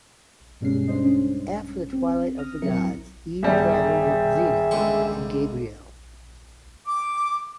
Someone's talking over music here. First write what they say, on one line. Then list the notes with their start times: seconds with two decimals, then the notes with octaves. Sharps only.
After the Twilight of the Gods, Eve travelled with Xena and Gabrielle.
0.61 G2 B2 G3 G#3 C#4 C7
0.88 D4 C5 D#5
1.02 C#4
1.93 C4
2.38 D#6 F6 A#6
2.62 D#2 F#3 C4 E4 A#4 C#7
3.43 G1 D#3 G3 G#4 E5
4.71 C#2 D3 C#6
6.86 D6